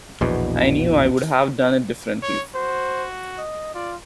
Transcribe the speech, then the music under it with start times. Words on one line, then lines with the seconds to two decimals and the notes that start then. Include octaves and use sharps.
I knew I would have done it differently.
0.21 A#1 E2 B2
2.23 C#5
2.55 F#4 C5
3.38 D#5
3.74 F4 D5